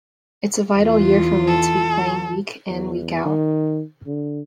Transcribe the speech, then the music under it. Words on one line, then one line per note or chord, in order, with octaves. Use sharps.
It's a vital year for me to be playing week in, week out.
E2 F4
A4
E2
D#3
D3